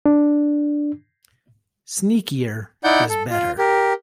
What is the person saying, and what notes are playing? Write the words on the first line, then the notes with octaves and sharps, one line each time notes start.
Sneakier is better.
D4
D#4 E4 D5 F#5 G6
A4
F4
G4 A#4